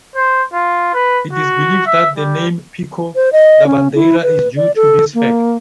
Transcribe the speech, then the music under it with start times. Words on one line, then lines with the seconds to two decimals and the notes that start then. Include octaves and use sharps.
It is believed that the name Pico da Bandeira is due to this fact.
0.16 C5
0.53 F4
0.94 B4
1.32 F#4
1.86 E5
2.16 G3
3.16 C5
3.33 D#5
3.67 C#4
3.95 E4
4.23 B4
4.56 D5
4.76 A4
5.14 A#3